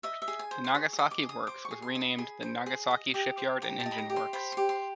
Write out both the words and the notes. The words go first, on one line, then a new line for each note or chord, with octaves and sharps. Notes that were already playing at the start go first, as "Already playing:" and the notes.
The Nagasaki works was renamed the "Nagasaki Shipyard and Engine Works".
D#5 E5
E5
G#4
G#5
C5
C6
G#4 C#6
D#6
D#5
D6
G#4
D#6
C5 D6
C#6
G#4
C6
D#5
B5
G#4
C5
G#4
D#5
G4
C5
G4 A#5
A5
D#5
B5
A#5
G4
C6
C5 B5
G4 C6
C6